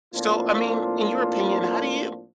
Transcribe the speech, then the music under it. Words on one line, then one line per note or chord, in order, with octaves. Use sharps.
So, I mean, in your opinion, how do you
A2 F3 A#3 C4 D4 F4